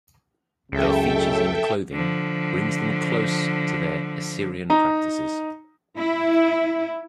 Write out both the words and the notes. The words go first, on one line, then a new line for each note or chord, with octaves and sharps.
Their features and clothing brings them close to their Assyrian practices.
C#2 F#2 A2 C#3 A4 E5 G5
D3 F3
D#4 A#5
E4